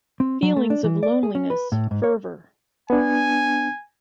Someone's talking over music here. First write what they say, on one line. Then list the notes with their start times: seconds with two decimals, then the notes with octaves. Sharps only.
Feelings of loneliness, fervor.
0.20 C4
0.43 F#3
0.56 A3
0.70 D4
0.84 E3
1.03 D5
1.23 G#4
1.35 C#4
1.50 B4
1.72 A2
1.91 G#2
2.03 C#5
2.90 B3 D4 G#5